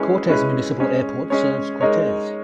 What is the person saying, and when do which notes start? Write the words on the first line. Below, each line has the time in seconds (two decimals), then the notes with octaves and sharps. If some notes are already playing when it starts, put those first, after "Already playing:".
Cortez Municipal Airport serves Cortez.
Already playing: G#3 C#4 E4 G#4 B4
0.29 G#3 C#4 E4 G#4 B4
0.80 G#3 C#4 G#4 C#5
1.30 G#3 C#4 G#4 C#5
1.81 G#3 D#4 A#4 C#5